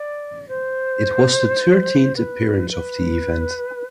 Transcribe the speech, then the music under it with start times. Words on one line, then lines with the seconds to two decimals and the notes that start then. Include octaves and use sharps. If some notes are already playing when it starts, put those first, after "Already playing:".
It was the thirteenth appearance of the event.
Already playing: D5
0.48 C5
2.15 B4
2.70 B4